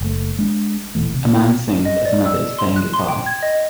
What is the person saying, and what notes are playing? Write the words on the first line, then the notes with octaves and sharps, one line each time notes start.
A man sings as another is playing guitar.
F#1 A3
G#3 D4
E1 A#2 E3 A3
C3
D#5
D5
E6
C6
F#6
C6
G5
G#6
D#5